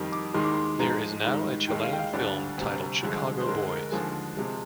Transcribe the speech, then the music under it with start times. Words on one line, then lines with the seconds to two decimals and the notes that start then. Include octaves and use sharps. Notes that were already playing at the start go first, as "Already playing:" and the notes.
There is now a Chilean film titled Chicago Boys.
Already playing: F2 D#3 G3
0.12 D6
0.34 D#2 D#3 G#3 C6
0.44 D6
0.54 C6
0.79 G#2 F3 G#3 A#5
1.24 G#2 D#3 G3
1.68 D#2 D#3 G#3 G5
1.83 F5
1.92 G5
1.98 F5
2.13 D2 D3 G3 D5
2.58 D2 C3 G3
3.02 G2 D3 F3 G#3
3.40 C5
3.47 D2 D3 G#3 A#4
3.70 A#4
3.92 D#2 D3 F3 G#3 G#4
4.37 C3 F3 G#3